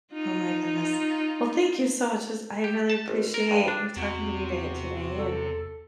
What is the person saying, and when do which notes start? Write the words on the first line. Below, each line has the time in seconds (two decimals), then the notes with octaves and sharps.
oh my goodness, well, thank you so much 'cause I really appreciate you talking to me day today, and
0.13 D#4 F4
2.64 G4
2.90 A5
3.08 G#1
3.34 A#4
3.51 G2
3.68 D4
3.96 E2 C3 F#4
5.18 A4